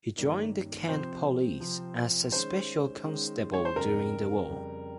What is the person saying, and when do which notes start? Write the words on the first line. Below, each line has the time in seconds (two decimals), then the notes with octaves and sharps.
He joined the Kent police as a special constable during the war.
0.16 G2 D#3 A#3 C#4
0.88 C3 F3 C4 C5
1.60 C3 F3 C4
2.32 D#3 G#3 C#4 C5
3.04 D#3 G#3 C#4
3.53 C#5
3.65 C5
3.76 F2 C#3 G3 A#4
4.48 F2 C#3 G3